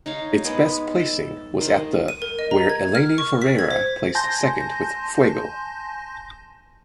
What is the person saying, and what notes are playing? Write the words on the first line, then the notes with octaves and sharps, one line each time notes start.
Its best placing was at the where Eleni Foureira placed second with "Fuego".
D#4 C#5 F5
G#3 B3
A4
D#3 C5 D#5
D#7
A#4
D#5
A#5
G#6
F6
C#6
B6
G#6
C5
G#5 A5 C6 G6 A#6